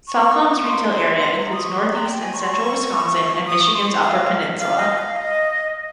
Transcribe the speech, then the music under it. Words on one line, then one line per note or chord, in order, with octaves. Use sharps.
Cellcom's retail area includes northeast and central Wisconsin and Michigan's Upper Peninsula.
C#6
C6
C6
A#5
D#6
C#6
C6
A#5
G5
G#5
C#6
C6
C#6
D#6
C#6
C6
F5
F5
D#5
F5
D#5